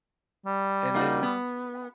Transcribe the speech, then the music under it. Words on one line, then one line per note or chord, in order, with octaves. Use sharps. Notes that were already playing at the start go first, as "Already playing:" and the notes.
and then
G3
A#3 D#4 F#4
B3